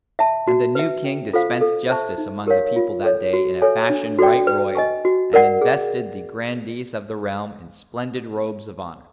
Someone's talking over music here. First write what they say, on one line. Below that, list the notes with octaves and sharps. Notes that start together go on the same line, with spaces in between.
And the new King dispensed justice among the people that day in fashion right royal, and invested the grandees of the realm in splendid robes of honour.
E5 A5
F#4
B4 E5
C#4
F4 A4 C5 F5
A4
C5 E5 A5 C#6
D#4
G4 A#4 C#5 F5
F4
A4 C#5
F#4
A4 C#5 E5 G#5
D4
F#4 A4 D5 G5
B4
D#5 G#5 C#6
F#4
A#4 D5 F#5
G#4